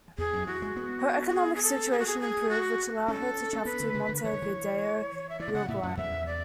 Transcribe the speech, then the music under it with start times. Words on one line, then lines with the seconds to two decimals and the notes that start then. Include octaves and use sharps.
Her economic situation improved, which allowed her to travel to Montevideo, Uruguay.
0.18 E2 G#4
0.33 F#2
0.47 E3 F#4
0.62 G#3
0.76 B3
1.28 F#4
1.35 G#4
1.55 G#4
1.63 A4
1.91 G#4
1.99 F#4
2.06 G#4
2.20 G#4
2.49 F#4
3.08 C#4 A4
3.53 C#4
3.65 B3 B4
3.80 D3
3.94 C#3
4.09 D3
4.16 B4
4.24 E3 C#5
4.33 D3
4.42 E3
5.29 E5
5.40 E3 D5
5.48 B2
5.53 C#3 F#5
5.68 A2 E5
5.83 F#2 F#5
5.97 E2 E5
6.26 D5